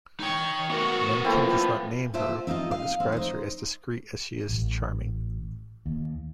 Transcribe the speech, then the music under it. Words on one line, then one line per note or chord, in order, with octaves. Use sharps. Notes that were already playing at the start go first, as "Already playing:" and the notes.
Mencken does not name her but describes her as discreet as she is charming.
D#4 C#5 G5
B3 F#4 A#4 C#6
F3 A#3 C4 E4 A4
A#3 F4 C5 E5 G5 A5
C4 D#4 F4 D#5
F5
C4
D#4 C5
A1
D#2